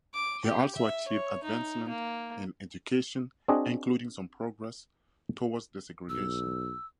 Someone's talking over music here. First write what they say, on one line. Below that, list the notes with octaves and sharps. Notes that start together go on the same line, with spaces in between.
He also achieved advancements in education, including some progress toward desegregation.
D6
G4
E5
C#5
D#4
A#3
C4 D4 F#4 G#4 D#5
B1 E6